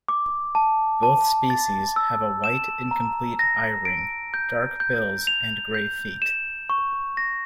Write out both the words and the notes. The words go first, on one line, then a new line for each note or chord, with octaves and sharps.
Both species have a white incomplete eye-ring, dark bills and grey feet.
D6
A5
A5
A6
E6
E7
A#5
A#6
D7
G6
G6
F7
G6
E7
C#6
A#6